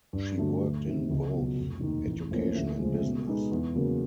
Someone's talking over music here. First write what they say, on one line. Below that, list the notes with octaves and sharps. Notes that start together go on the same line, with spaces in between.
She worked in both education and business.
G2
D3 F#3 A3
D2
C3 D#3
C#2
B2 F#3
F1
D#2 D#3
A1
A2 F3 A#3 C#4
D2
C#3 F3 G#3
B2
G#3 B3 D#4
E2
C#3 F#3 A#3